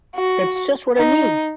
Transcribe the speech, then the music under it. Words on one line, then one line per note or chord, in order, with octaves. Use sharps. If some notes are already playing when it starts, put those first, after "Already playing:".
That's just what I need!
F#4
D#4